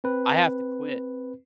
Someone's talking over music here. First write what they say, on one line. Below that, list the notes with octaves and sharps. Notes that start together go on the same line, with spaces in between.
I have to quit.”
C4 B4